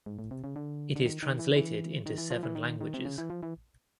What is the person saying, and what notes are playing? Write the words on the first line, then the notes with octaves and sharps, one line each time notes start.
It is translated into seven languages.
G#2
A2
C3
C#3
D3
D3
D#3
D#3
E3
E3
D#3
E3
F3
E3
D#3
D#3
C3
C#3
E3
F3
E3